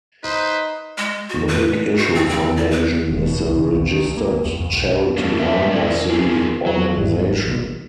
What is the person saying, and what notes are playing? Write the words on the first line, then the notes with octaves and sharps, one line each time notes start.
The Big Issue Foundation is the registered charity arm of the organisation.
D#4 B4 C5
G#3
F#4
B4
F#4
C4
C4
D5
B4
E1
B2
C2
C#3
B1
D#3
D2
A#3
D2
E2
F2
B1
A#3 D4 F#4 A#4
A#3 B3 C#4 A#4 E5
C4 C#4 E4 A#4 D5
D#4 F4 G#4 A#4
F#3
G#1 E3 G3